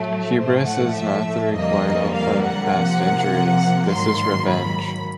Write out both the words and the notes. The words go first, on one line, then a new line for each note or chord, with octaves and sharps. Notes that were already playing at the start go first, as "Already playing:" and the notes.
Hubris is not the requital of past injuries; this is revenge.
Already playing: A2 F#3 A3
A2 F3 A3 C5
F#5
E5
F2 D3 G3 A#3 D#5
F5
F#5
C3 F3 A#3
G#2 D#3 F#3 A#3 C6
B5